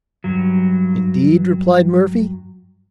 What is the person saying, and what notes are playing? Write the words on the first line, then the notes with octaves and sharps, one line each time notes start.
"Indeed!" replied Murphy.
G2 F#3